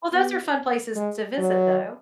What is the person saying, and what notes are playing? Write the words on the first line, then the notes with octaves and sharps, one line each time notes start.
Well, those are fun places to visit, though.
B3
G#3
F#3